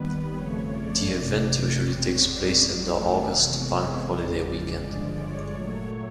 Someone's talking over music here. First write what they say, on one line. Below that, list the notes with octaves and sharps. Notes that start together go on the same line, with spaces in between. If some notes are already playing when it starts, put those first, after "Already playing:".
The event usually takes place on the August bank holiday weekend.
Already playing: D#2 D#3 G3 B3 B4
F2 C#3 F3 A3 C#5
D5
F2 C3 E3 A3
E2 B2 G#3 C4 C#5
D5
D#2 D#3 F#3 A3
C3 E3 G#3 B3 C#5
C#5
E2 C#3 F3 G#3 D5
G2 D3 F3 G#3
C#5
A#2 F#3 A3